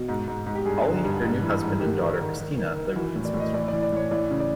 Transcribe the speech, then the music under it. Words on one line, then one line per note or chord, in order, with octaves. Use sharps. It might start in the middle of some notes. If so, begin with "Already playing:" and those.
Holly, her new husband and daughter Christina lived in Switzerland.
Already playing: B2
G#2
G#2
G#2
G4
G2 G#4
D3
G2
G#2
E3
G#2
D#3 G4
D#3
D#3
D#3
D#3
D#3
E3 F#4
A2
D5
A2
D#5
E3 D5
D5
E3
D5
A2 C#5
E3 D5
C#3
D5